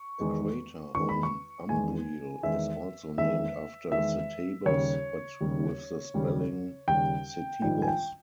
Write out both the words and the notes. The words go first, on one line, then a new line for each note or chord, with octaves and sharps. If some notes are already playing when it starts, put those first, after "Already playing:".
A crater on Umbriel is also named after Setebos, but with the spelling Setibos.
Already playing: C#6
E2 D#3 G#3
E2 D#3 G#3 C#6
B5
C#6
E2 D#3 G#3 G#5
E2 D#3 G#3 E5
E2 D#3 G#3 E5
E2 D#3 G#3 E5
D#2 C#3 G3 C#5
D#2 C#3 G3
D#2 C#3 G3
D#2 C#3 G3 G5
A#1 G#2 D#3 G3 G5
G#5
G5